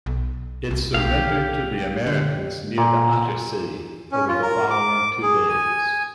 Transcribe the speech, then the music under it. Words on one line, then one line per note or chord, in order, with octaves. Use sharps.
It surrendered to the Americans near the Attersee over the following two days.
B1
C2
B1 G4 F5
D3
A#2
C#4
F4
A#4
D6
G#4
G#5